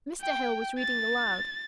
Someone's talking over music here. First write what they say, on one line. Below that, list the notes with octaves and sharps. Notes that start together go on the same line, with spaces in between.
Mr. Hale was reading aloud.
G5
A6